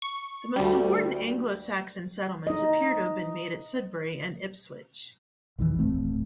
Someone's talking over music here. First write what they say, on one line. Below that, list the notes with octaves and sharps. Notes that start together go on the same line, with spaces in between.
The most important Anglo-Saxon settlements appear to have been made at Sudbury and Ipswich.
C#6
D2 G3
D#4 D#5
A#1 E2 D#3 E3
D1 A3 C4